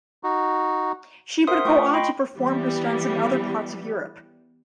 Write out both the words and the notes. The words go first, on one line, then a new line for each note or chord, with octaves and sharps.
She would go on to perform her stunts in other parts of Europe.
D#4 F#4
A#4 C5 E5 F#5 C6 D#6
A3 F4 G5 C#6
D#5 G5 B5 C6
E3 G3 B3